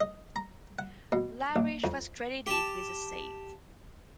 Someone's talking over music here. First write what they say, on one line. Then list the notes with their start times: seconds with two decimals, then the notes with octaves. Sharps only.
Larish was credited with the save.
0.01 D#5
0.36 A#5
0.79 F#5
1.12 B2
1.56 A#1
1.84 F2
2.47 G4 A5